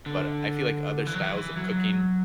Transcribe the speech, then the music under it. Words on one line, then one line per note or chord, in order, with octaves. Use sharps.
But I feel like other styles of cooking
D3
E3
F#3
E3
F#3